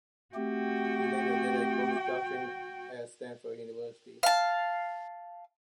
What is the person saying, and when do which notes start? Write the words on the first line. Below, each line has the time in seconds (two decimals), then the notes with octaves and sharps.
He later did a post-doctorate at Stanford University.
0.35 A3 C4 F#4 G4 G5
4.23 F5 A5